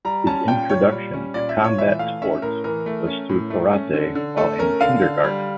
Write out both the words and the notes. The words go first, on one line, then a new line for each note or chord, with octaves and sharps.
His introduction to combat sports was through karate while in kindergarten.
G3 A#5
C#4 A5
A#2 G5
A#2 C#5
G3
C#4
A#2 D5
E5
A#2
C#5
E3 E5
A3 F5
C#4 E5
A2 A#4
E3 A#4
A3
C#4
A2
A3
C#4
D3
D3
A3 A4
C#4 A#4
D3 F5
D3
G3